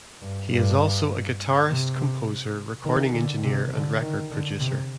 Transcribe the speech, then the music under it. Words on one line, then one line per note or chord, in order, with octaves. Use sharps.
He is also a guitarist, composer, recording engineer and record producer.
G2
G2
C3
D#3
D3
C3
D3
D#3
D3
C3